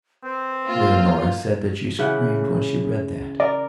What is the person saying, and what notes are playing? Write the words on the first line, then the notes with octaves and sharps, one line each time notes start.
Leonora said that she screamed when she read that.
C4 B4
A#3 F4
C#3 E3 F#5
A#4 D5